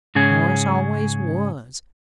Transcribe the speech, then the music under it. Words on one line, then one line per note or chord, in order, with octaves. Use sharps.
Morris always was.
G#2 C#3 C#4 G#4